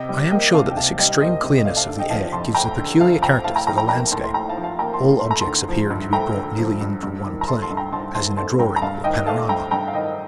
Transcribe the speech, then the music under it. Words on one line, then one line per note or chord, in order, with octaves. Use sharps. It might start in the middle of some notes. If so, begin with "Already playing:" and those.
I am sure that this extreme clearness of the air gives a peculiar character to the landscape, all objects appearing to be brought nearly into one plane, as in a drawing or panorama.
Already playing: C3 D#5 G5
G3
A#3 D#5 G5
C3 F5 A5
G5
C3 F5 A5
G3 D#5 G5
A#3 C5 D#5
C3
D#5
A3 D5 F5
F5 A5
D3
D#5 G5
F3 F5 A5
F2 A5 C6
A3 G5 A#5
D3
F3 F5 A5
F2 G5 A#5
A2 F5 A5
G5 A#5
F3 G5 A#5
G5 A#5
A#3 G5 A#5
A2 A5 C6
C6
A2 G5 A#5
F5 A5
F3
F5 A5
A#3 G5 A#5
A5 C6
A2
A3 C6
A#5
A5 C6
D3
F3
G2
A3 G5 A#5
D3
F3
G2
G2
D#3
A#5
A3 A5 C6
A5 C6
G2
G5 A#5
G2 A5 C6
D#3 A5 C6
A3 A5 C6
G2 G5 A#5
A#5
G2 F5 A5
D#3 D#5 G5
A3 F5 A5
G2 G5 A#5
G2 G5 A#5
F5
D#3 D#5 G5